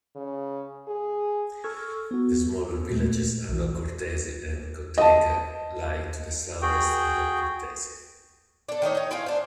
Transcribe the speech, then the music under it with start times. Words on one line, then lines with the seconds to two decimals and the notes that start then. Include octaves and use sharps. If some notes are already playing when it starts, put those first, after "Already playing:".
The smaller villages Ano Kourtesi and Kotteika lie to the southeast of Kourtesi.
0.16 C#3
0.88 G#4
1.64 A4 C#6 E6 F6 G#6
2.11 B3 F#4
2.90 A#2 G#3 A3
3.49 B1 E3
4.98 D#5 A5
6.61 F#4 G#4 G5
8.69 D4 A4
8.82 D#3 A3 D#4 C#5
8.95 D#4 C#5
9.11 E4 F4 G#4 F5
9.26 D4 C5